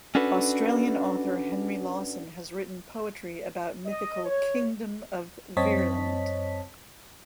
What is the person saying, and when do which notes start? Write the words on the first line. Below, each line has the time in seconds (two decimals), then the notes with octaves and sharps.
Australian author Henry Lawson has written poetry about mythical "Kingdom of Virland".
0.15 C#4 D4 F#4 A4 B4
3.86 D#5
4.24 C#5
5.57 F#2 C4 C#5 D#5 A5 B6